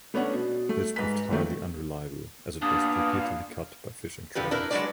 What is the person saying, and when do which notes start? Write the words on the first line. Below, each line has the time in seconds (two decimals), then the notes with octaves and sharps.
This proved highly unreliable as it was repeatedly cut by fishing trawlers.
0.14 A3 B3 C#4 D4 F#5
0.33 B2
0.69 A3
0.96 G#2 B4 B6
1.30 A#2 D#3 A3 C4
2.62 G2 A#2 B3 D4 F5 D#6
4.35 D3 F3 G4 B4
4.51 D4 E4 A#4 B4
4.71 F#3 G#3 C#4 D4 B4 D5